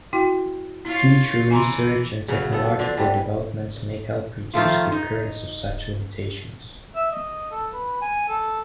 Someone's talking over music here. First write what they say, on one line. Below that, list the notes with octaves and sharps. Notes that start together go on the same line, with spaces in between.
Future research and technological developments may help reduce the occurrence of such limitations.
E4 F#4 G5
E4 F4 C#5
E3 G#5 A#5 C6
C#3 F#3 B3
B3 A4
D3 F3 D4
E3 G3
D#3 F3 A3 F4
D#4
E5
D#5
A4
B4
G#5
A4